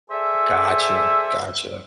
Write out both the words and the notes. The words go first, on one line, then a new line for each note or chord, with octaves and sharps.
Gotcha. Gotcha.
G#4 A4 C5 D5 E5